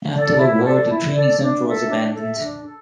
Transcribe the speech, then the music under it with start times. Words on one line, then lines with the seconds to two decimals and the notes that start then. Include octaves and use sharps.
After the war the training center was abandoned.
0.12 A4 D5
0.38 E4
0.63 A4 D5
0.88 E4
1.13 A4 D5
1.39 D4
1.64 A4 E5
1.89 D4
2.14 A4 E5
2.40 D4
2.65 A4